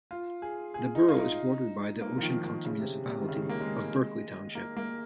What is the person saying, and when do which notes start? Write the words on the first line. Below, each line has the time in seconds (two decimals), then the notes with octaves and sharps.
The borough is bordered by the Ocean County municipality of Berkeley Township.
0.11 F4
0.42 G#4
0.74 G#4
0.95 D#4
1.08 F4
1.16 D#4
2.01 A#3
2.18 F3
2.22 D#3
2.44 D#3
2.65 C#3
2.79 C3
3.06 C3
3.22 D#3
3.28 C#3
3.49 A#3
3.60 G#3
4.55 A#3
4.77 A#3